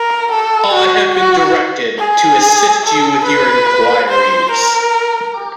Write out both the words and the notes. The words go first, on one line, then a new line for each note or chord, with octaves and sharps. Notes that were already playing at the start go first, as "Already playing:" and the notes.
I have been directed to assist you with your enquiries.
Already playing: A#4
A4
F#4
F#4
G#4
A4
B4
C5
A#4